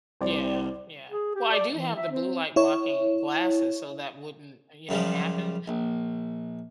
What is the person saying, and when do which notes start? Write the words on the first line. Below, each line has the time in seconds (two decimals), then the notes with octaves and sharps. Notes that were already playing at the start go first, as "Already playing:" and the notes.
Yeah, yeah. Well, I do have the blue-light-blocking glasses, so that wouldn't, you know, happen.
0.21 C2 C5 D5
1.10 G#4
1.35 G4
1.52 D5
1.74 E3
1.96 E5
2.11 C4
2.56 E4 C#5
4.89 F#2 C#3 F3 G3
5.68 A#1